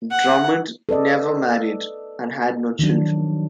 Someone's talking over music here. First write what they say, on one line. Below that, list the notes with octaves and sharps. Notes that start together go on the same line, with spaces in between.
Drummond never married and had no children.
F#5
A4 B4 D5 D#5
D#3 F3 F#3 D4